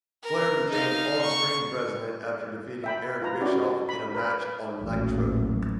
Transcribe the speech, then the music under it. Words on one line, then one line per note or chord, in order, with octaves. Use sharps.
Flair became on-screen president after defeating Eric Bischoff in a match on "Nitro".
A#4
D#4 F5
C#6
E5 G5 B5
F4 B4 A#5
C#4 E4 F#4 G4 D5
B5
A#4 B4 B5
A1 D#2 A#2 E3 F#3